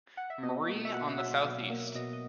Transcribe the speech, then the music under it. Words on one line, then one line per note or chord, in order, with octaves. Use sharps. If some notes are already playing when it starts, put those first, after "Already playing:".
Marie on the southeast.
F#5
E5
B2 D#5
A#3
E5
B2 F#5
F#5
F#3 E5
B2
A#3
B2 D#5
D#5